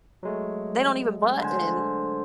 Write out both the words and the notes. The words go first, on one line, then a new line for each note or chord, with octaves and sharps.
they don't even button."
F#3 G#3 A3
D3 C5 G#5